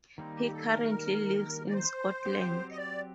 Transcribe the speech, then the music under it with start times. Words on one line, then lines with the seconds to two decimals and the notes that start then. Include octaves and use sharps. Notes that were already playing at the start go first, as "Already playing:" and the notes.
He currently lives in Scotland.
0.18 D#3 G3 A#3 C4 D#4
0.36 G4
0.53 A4
0.70 A#4
1.69 D5
1.74 C5
2.26 F#3 C4 G4
2.71 D#5
2.78 D5